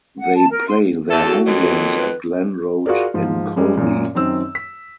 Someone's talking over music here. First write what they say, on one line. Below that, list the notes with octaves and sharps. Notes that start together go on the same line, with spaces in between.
They play their home games at Glen Road in Colby.
F#5
A5
A#4
C6
E2 A4 E5
F#4
F2 D#3 F#3
B4
F4 F#4 G#4 A#4 D5
G#2 F3
F#2 G3 G#3
F#2 A#2
F#2 D#3 C4 E6
B6